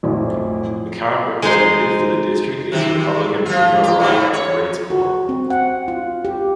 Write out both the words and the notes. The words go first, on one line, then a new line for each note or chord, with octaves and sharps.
The current representative for the district is Republican Boomer Wright of Reedsport.
B1 F2 A2
G#3 D#4 C5 C6
C3 D#3 G4
F3 F4
G4
G#2 G3 A3
C#5
F#4
C4
F#5
F4
G4